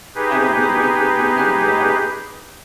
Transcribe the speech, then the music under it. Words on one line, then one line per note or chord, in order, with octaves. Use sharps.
Have a good rest of your night now.
D#4 G4 G#4 B4